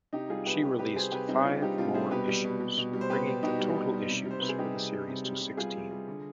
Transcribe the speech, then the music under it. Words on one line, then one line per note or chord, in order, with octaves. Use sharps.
She released five more issues, bringing the total issues for the series to sixteen.
C3 D#4 G4
G3 F4 G#4
C3 G4 B4
G3 G4 B4
C3 G4 B4
G3 G#4 C5
C3 G4 B4
G3 C4 D#4
C3 D4 F4
G3 D#4 G4
C3 D4 F4
G3 G#4 C5
B2 G4 B4
G3
B2
G3
B2
G3
C5
B2 G4 B4
G3
B2 D#4 G4
G3
B2
G3
C3
G3
C5
C3 B4
G#4
G3 D#4 G4
C3
G3
C3
G3
C3
G3 F4 G#4
C3
G3
D3